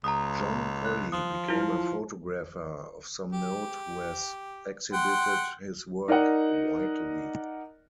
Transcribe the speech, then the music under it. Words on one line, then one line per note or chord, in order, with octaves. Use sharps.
John Collie became a photographer of some note who has exhibited his work widely.
C#2 A#5 D#6
F#6
F3 D#6
E4 F4
G4
F#5 G5 C6
D#4 A#4 D5 D#5 F#5